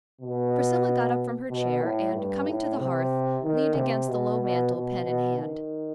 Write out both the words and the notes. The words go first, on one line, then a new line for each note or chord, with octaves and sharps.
Priscilla got up from her chair, and, coming to the hearth, leaned against the low mantel, pen in hand.
B2
B2
A2
G2
A2
C3
D#3
C3
B2
B2
B2
B2
D#3